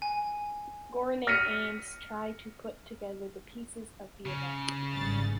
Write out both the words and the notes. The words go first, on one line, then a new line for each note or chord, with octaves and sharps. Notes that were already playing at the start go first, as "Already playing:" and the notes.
Goren and Eames try to put together the pieces of the event.
G#5
F6 A#6 B6 C#7 D#7
C#3
G#1 G2 A6